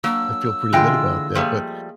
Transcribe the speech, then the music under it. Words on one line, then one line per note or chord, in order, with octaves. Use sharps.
I feel pretty good about that, but
F#3 A#3 D4 E6
D3 E3 G#3 F4 A#4 G5
F3 G3 A3 A#3 G#4 D#5